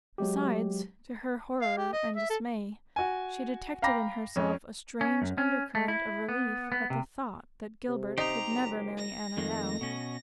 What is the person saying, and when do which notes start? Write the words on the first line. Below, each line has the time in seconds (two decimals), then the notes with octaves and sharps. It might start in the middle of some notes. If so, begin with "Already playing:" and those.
Besides, to her horror and dismay, she detected in herself a strange undercurrent of relief at the thought that Gilbert could never marry Anna now!
0.18 F#3 G#3 G4
1.61 F5
1.77 G4
1.93 D#5
2.16 E5
2.30 A4
2.96 F#4 G#5
3.82 F5 G5 A#5 B5 D6 A#6
4.36 F2 C#4
5.01 C#4
5.22 F#2
5.38 C#4
5.75 A3
5.88 E4
6.29 B3
6.72 B3
6.90 C3
7.88 C3
8.18 D#4 G4 C5 A#5
8.50 F#1
8.97 A#6
9.37 F2 D#3 G#3 A3
9.81 B2 C#4